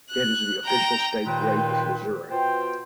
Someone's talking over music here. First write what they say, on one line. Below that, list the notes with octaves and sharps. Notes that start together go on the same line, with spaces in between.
It is the official state grape of Missouri.
F#6
G5 A#5
D#2 A#2 D#3 B4 G5 C6
B2 F4 C5 G5